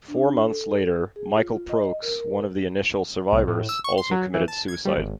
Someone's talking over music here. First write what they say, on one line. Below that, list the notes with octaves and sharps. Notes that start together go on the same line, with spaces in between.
Four months later, Michael Prokes, one of the initial survivors, also committed suicide.
D4
A4
G#4
F4
D#5
A#4
C2
A2
E6
C#6
C6
F#3
E3
A5
G#6
G3
G#1